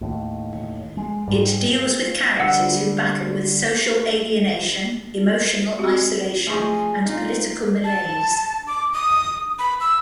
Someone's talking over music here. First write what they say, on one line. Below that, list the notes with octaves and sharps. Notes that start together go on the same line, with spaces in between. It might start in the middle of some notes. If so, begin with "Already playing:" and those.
It deals with characters who battle with social alienation, emotional isolation, and political malaise.
D#2 A2
G#3
G#2 G3
D3 G3 F#5 E6
C4 F#4 G4
F3 G#3 A3 G#4 C#6
D#4 F4
A5
D6
D#6
B5
E6